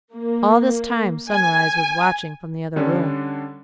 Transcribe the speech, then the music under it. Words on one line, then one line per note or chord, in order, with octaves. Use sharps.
All this time Sunrise was watching from the other room.
A#3
G#5
D3 G3 C#4 D4